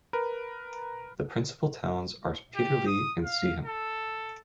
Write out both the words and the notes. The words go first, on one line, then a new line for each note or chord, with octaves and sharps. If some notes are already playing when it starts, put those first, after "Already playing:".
The principal towns are Peterlee and Seaham.
A#4 B4
G4
D#6
F5
A4